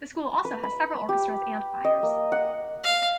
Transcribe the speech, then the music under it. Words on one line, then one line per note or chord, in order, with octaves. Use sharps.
The school also has several orchestras and choirs.
B4
B5
G4
D#5
A#3
F#5
F5